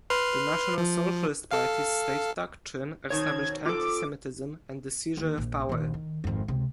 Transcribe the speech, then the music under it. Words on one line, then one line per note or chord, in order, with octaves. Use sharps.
The National Socialist party's state doctrine established Anti-Semitism and the seizure of power.
B4 C6 F6
F3
A4 F5
B2 D#3 C4 C#5 G#6
F4 A4 D6
D#2
A#1
A#1 D#2
D#3
G#1 F2
C#2 C3